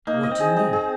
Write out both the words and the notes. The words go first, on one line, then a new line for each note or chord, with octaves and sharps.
"What do you mean?"
A#3 D#4
D#5
C4
G#4
D#4
G#4